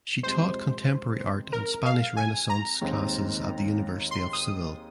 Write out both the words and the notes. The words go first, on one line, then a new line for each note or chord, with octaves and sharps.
She taught Contemporary Art and Spanish Renaissance classes at the University of Seville.
F2 C3 G#3 C5
A#4
F5
G#5
A#5
D#2 D#3 G#3 C4
C6
D#6